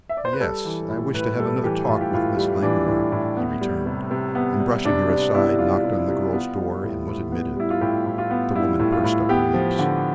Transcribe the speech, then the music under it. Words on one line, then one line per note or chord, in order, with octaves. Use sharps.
"Yes; I wish to have another talk with Miss Langmore," he returned, and, brushing her aside, knocked on the girl's door, and was admitted. The woman pursed up her lips.
E5
D5
C5
B4
G3 A4
E3
A2
A2 B4
G3 A4
E3 G4
A2 F4
G4
A2 F4
G3
E3 D4
A2
A2
B3
G3
C3
C3
B3
G3
C3 D4
C3 D4
B3 E4
G3 F4
C3
C3
B3 F4
G3
A2
A2
B3
G3 E4
F4
A2 G4
A2
F4
B3
G3 E4
A2
F4
A2
B3 G4
F3
D3